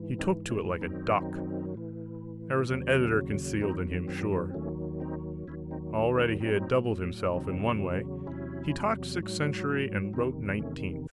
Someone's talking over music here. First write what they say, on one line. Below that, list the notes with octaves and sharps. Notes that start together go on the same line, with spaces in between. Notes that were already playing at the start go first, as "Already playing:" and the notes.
He took to it like a duck; there was an editor concealed in him, sure. Already he had doubled himself in one way; he talked sixth century and wrote nineteenth.
Already playing: G#2 E3
C4 D#4
A3 C#4
F#2 D#3 F#3 C4 D#4
A2 E3
D#2 C#3 F#3
F#2 D#3 F#3 C4 D#4
C4
C4
D#2 D#3 F#3 A3 C#4
C4 D#4
D#2 D#3 F#3 C#4 E4
C4 D#4
A3 C#4
A3 C#4
A2 F#3 C4 D#4
E2 C#3 F#3 C4 D#4
E2 C3 F#3 C#4 E4
G#2 F#3
E2 C3 D#3 C4 D#4
A3 C#4